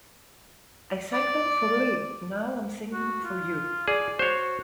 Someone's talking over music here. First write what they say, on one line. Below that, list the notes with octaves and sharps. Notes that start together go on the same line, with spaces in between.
I sang them for Lee, now I'm singing them for you.
D5
F#4
F4
G#4 D5
F#4 C5 C#5